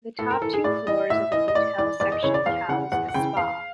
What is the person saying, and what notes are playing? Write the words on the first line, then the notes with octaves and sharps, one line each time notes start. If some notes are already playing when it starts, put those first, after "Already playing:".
The top two floors of the hotel section house a spa.
A2 A4
A#4
E3 A4
G#4
A2 D5
E3 D#5
A2 E5
E3 D#5
D#5
A2 D5
E3 D5
E2 D5
D#5
C#3 E3 C#5
D5
E2 F5
C#3 E3 F#5
E2 F#5
F#5
C#3 E3 G5
E2 F5